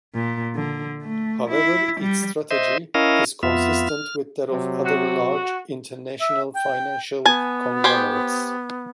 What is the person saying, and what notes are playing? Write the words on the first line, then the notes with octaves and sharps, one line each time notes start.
However, its strategy is consistent with that of other large, international financial conglomerates.
A#2
D3
A3
E4
G3
C5 D#5 E5
C#4 E4 A#4 D#5 F5
F2 B3 F4 E5
F6
C3 F#3
F#4
E5
G5
B3 G#5 A5
G4 C5 G#5